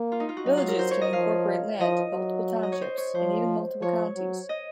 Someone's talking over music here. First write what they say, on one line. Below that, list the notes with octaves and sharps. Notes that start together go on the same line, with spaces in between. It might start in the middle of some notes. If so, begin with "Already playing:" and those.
Villages can incorporate land in multiple townships and even multiple counties.
Already playing: A#3
F4
D#4
F4
F#4
F#3 D#4
F4
A#4
C5
C#5
D#5
F3 F5
F3 D#5
F#3
D#5
C#5
C5
C#5
F3 C5
F3 C#5
F#3
D#5